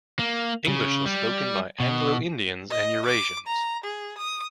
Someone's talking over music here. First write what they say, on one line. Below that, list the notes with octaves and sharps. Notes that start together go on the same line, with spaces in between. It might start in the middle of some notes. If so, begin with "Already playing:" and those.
English was spoken by Anglo-Indians and Eurasians.
A#3
C#3
G3
B2
D#5
D6
A#5
G#4
D#6